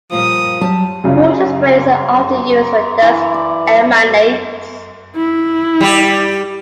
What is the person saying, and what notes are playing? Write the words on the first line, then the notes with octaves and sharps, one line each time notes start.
Water spray is often used where dust emanates.
D#2 A#2 F3 G3 D#6
F#3 G3 G4 A5
F#2 C#3 G3 C#4 F4
E3
D5
F5
E4
G3 G4